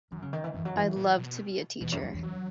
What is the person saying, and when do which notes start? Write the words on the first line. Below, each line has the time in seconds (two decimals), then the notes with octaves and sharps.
I’d love to be a teacher.
0.12 F#2 D#3
0.22 C#3
0.33 D#3
0.44 E3
0.54 F#2 E3
0.65 F#3
0.75 F#2 E3
0.96 A#2
1.18 B2
1.81 E2 B2
1.92 F#2
2.03 F#2
2.13 E2
2.23 F#3